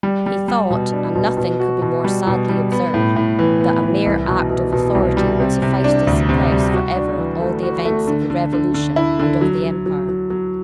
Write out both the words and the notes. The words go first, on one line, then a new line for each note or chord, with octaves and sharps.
He thought, and nothing could be more sadly absurd, that a mere act of authority would suffice to suppress forever all the events of the Revolution and of the empire.
G3
G3
G3
B2
D4
B2
B2
F#4
B2
G3
B2
G3
B3
A2
A2
E3
B3
E3
C2
B2
B2
B2
C2
G3
C3
C3
D4
D2
C3
G3
F#4
D4
E3
A3
F#4
A3
D3
D3
D3
D3
E4
D3
F#3
F#3
F#3
F#3
F#3